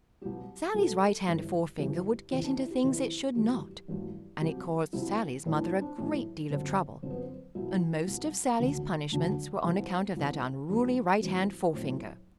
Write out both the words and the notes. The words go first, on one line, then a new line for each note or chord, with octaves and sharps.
Sallie's right-hand forefinger would get into things it should not, and it caused Sallie's mother a great deal of trouble, and most of Sallie's punishments were on account of that unruly right-hand-forefinger.
C2 B2 F#3 G4
C2 B2 F#3 A4
G1 G2 E3
G1 G2 E3 G4
E2 C3 E3 E4
D4
E4
G4
E2 C3 E3 E4
A1 G2 F#3 G4
A1 G2 F#3
C2 C3 F#3 G4
C2 C3 F#3 E4
B1 A2 E3 E4
D4
C4
D4
B1 A2 E3
G1 F#2 D3 C4
G1 F#2 D3 C4
B3
C4
C2 B2 F#3 E4
C2 B2 F#3
E1 D2 D3 F#3
E1 D2 D3 F#3 D4
C2 C3 E3 C4
C2 C3 E3
A1 G2 F#3 D4
A1 G2 F#3 C4
B1 A2 F#3 C4